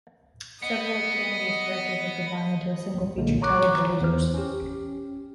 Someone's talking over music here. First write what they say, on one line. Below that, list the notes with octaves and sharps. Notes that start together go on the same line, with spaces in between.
Several of Kanigher's characters were combined into a single feature titled "The Losers".
B3 D#5
B1 A#2 D3 G#3 A#3
C#5 A#5 C#6 D6 F#6
E2 E3 C5 F6
C#4 G4